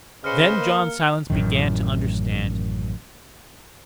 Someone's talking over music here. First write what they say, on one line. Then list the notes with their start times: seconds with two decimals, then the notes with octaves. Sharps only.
Then John Silence began to understand.
0.24 C#3 B4 C5 D#5 F6 C#7
0.57 A#3
1.30 A1 F#2 D#3